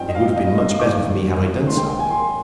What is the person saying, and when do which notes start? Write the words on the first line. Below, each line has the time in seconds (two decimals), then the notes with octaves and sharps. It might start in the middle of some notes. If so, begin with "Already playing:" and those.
It would have been much better for me had I done so.
Already playing: G2 F3 C4 D#4 G5
0.09 D#5
0.15 F5
0.36 D#5
0.47 D#5
0.58 D#5
0.69 F5
0.80 D#3 G3 A#3 D4 D6
1.67 G#2 D#3 A#3 D#4 C6
1.78 G5
1.89 G5
1.99 G#5
2.10 C6